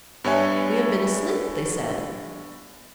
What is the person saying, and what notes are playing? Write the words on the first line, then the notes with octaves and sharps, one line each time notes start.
"We have been asleep," they said.
G2 B3 B4 C#5 E5 G#5